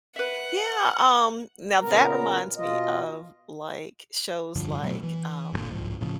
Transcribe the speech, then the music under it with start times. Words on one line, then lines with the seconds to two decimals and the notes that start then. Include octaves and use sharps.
Yeah, um, now that reminds me of, like, shows like, um,
0.16 B4 E5 F#5
1.80 A#2 C#3 B3 A#4 A#5
2.58 B2 F4 D#5
4.56 F1 G2 D3 F3
4.82 B2 F#3 A3 B3
5.03 E3
5.53 G1 G2 A#2 D3
5.71 D1 C2 G#2 F3
6.00 D#1 A2 C#3 F3